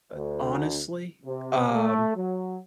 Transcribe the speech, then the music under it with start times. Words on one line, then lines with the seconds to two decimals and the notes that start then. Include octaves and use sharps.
Uh, honestly, um,
0.14 D2
1.25 C3
1.73 A3
2.16 F#3